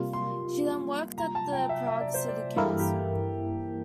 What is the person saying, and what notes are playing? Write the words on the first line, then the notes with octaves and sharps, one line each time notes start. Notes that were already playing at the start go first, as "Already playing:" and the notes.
She then worked at the Prague City Council.
Already playing: C3 G3 A#3 F4
C6
A#5
A5
G5
E5
E5
D5
C5
D5
G2 E3 A#3 E4 A4 A#4
G4
G4